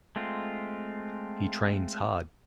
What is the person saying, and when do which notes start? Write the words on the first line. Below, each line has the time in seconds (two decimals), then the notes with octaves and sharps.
He trains hard.
0.16 G#3 A3 C4 F4